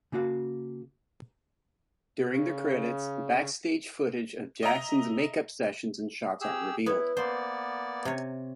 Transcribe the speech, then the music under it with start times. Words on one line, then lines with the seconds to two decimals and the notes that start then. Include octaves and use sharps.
During the credits, backstage footage of Jackson's make-up sessions and shots are revealed.
0.12 C#3 A#3 F#4 F5
2.30 C#3
4.63 D#5 E5 A#5
6.41 G4 G#4 E6
6.86 B3 E4 C#5
7.17 A#3 B3 C5 D5
8.05 C3 C#5